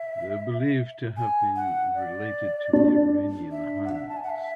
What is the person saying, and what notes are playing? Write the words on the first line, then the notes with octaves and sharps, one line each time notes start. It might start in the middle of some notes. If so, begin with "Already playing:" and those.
They are believed to have been related to the Iranian Huns.
Already playing: E5
G#5
F#5
D5
D4
E5
F#5
E5
A5
G#5
F#5
E5